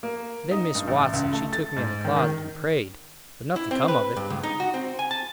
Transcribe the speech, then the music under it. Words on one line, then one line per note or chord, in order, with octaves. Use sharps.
Then Miss Watson she took me in the closet and prayed, but nothing come of it.
A#3
D#4
G2
A1
C#2
A3
A6
G#2
D#3
D#3
E4
C4
B4
G2
C#2
D#4
F#4
C4
G#5
A5